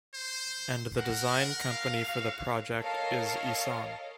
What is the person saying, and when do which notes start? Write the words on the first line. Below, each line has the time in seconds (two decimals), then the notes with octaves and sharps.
And the design company for the project is Isan.
0.14 C5
0.97 A#4 F#5
1.68 F5
2.08 F#4
2.79 A4 A#4 C#5 D#5 F5